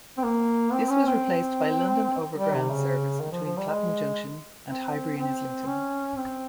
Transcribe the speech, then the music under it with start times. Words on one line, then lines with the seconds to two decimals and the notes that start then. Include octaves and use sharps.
This was replaced by London Overground's service between Clapham Junction and Highbury and Islington.
0.18 C4
0.23 A#3
0.73 C4
0.89 C#4
1.06 C4
2.38 G3
2.54 C3
2.70 C#3
3.20 D#3
3.32 F3
3.45 F3
3.57 G3
3.70 G#3
4.68 C4
5.18 C4
5.67 C#4
6.17 C4